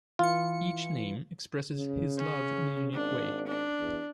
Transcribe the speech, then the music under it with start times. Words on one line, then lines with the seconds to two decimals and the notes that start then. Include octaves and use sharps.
Each Name expresses His love in a unique way.
0.19 E3 F4 C#7
1.73 C#3
2.18 C#4
2.93 G#1 D4
3.47 D4
3.79 E2